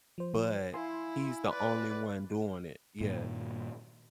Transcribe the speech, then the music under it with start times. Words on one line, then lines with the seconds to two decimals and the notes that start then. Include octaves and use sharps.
but he's the only one doing it." Yes.
0.18 F3 C5
0.74 E4 F5 G#5 C6
1.51 B4 D5
3.00 G2 A#2 D#3